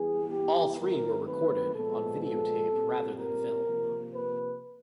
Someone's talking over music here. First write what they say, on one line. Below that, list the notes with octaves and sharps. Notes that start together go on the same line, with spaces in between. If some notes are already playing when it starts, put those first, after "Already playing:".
All three were recorded on videotape rather than film.
Already playing: E3 G3 B3 G#4
G4
D#3 F#3 A3 C4 A#4
B4
A#2 F3 G#3 B3 A4
A4
A#2 G3 C4
A#4
C3 F3 A#3
B4